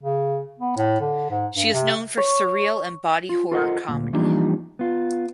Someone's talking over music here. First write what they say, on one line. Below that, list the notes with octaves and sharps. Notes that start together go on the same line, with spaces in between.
She is known for surreal and body horror comedy.
C#3
B3
A2
D3
G#2
G2
C3
C#5
F4
F4 A4 A#4 C5 D#5 F#5
D2 G2 A#2
E3 F3 G3 A#3 D4 D#4
B3 F4